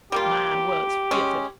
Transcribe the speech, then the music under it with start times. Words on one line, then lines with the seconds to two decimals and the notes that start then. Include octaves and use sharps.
Mine was filthy.
0.12 G3 A#3 F4 G4
1.11 G#3 C#4